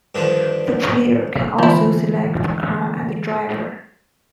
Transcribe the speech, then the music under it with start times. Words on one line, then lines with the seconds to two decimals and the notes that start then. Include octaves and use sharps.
The player can also select car and driver.
0.15 G2 D3 D#3 F3
1.59 D3 E3 F3 G#3 E4